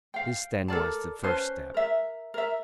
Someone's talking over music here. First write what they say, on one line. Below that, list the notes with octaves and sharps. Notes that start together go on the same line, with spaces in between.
This then was the first step.
F5 G5
A4 A#4 D5 A5
C#4 B4 C5 A5
A#4 E5
A#4 E5